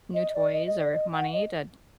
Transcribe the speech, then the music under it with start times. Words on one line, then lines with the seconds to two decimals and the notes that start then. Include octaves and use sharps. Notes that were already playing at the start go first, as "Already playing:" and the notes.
new toys or money that
0.14 D#5
0.33 D5
0.52 D#5
0.66 D#5
0.79 D5
0.92 D#5
1.12 F#5
1.32 D#5